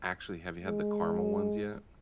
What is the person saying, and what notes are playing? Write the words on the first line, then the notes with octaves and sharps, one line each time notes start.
Actually, have you had the caramel ones yet?
G#3